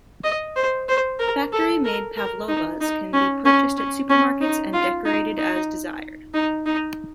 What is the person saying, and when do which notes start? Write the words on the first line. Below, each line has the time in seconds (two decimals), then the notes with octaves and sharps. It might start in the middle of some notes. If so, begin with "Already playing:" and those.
Factory-made pavlovas can be purchased at supermarkets and decorated as desired.
0.24 D#5
0.56 C5
0.89 C5
1.20 A#4
1.53 A4
1.85 A#4
2.17 A#4
2.48 D#4
2.81 D#4
3.13 C#4
3.45 C#4
3.78 C#4
4.10 C#4
4.41 D#4
4.73 F4
5.06 D#4
5.38 D#4
6.34 D#4
6.66 D#4